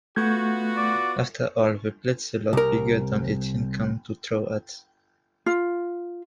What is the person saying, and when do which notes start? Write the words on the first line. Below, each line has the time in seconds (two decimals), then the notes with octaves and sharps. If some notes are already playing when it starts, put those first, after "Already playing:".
"After all, the plate's a lot bigger than a tin can to throw at".
0.16 A3 B3 F4 F#4 G6 G#6
0.77 D5
2.53 C2 A#4
5.46 F4